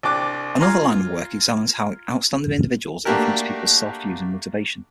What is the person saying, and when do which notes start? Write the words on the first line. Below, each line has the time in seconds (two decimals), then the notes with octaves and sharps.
Another line of my work examines how outstanding individuals influence people's self-views and motivation.
0.03 C2 D4 G4 D5 D6 F#6
0.60 F4 F5 G#5 A#5 C6
3.05 A3 A#3 D4 F#4 G4 A#4